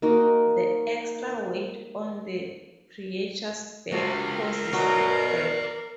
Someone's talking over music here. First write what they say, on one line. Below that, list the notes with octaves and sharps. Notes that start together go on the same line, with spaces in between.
The extra weight on the creature's back causes its death.
A#3 D#4 F#4 A#4
G2 C3 G#3 F4 F#4 A4 A#4
B2 F#3 D5 E5 A#5